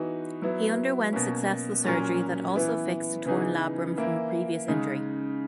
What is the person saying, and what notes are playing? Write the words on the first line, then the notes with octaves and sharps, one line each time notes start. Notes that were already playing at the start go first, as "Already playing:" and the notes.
He underwent successful surgery that also fixed a torn labrum from a previous injury.
Already playing: E3 B3 D#4 F#4
F#3 B3 E4
B2 A#3 C#4
A#2 F#3 C#4 F#4 A#4
E3 B3 E4
C#3 E3 B3 D#4 G#4
E3 A#3 E4
C#3 G#3 D#4